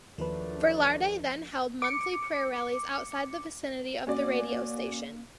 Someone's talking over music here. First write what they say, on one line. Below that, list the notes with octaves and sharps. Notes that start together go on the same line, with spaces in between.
Velarde then held monthly prayer rallies outside the vicinity of the radio station.
D#2 F3 F#3 A3 D4 F4 A#4 B4
D6 C#7
A#3 C#4 F#4 D5